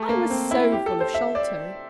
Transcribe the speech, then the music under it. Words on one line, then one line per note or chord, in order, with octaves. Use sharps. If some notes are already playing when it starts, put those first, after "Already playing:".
I was so full of Sholto.
Already playing: A3
A#3
C4
E4
G4
A4
C5
E5
D5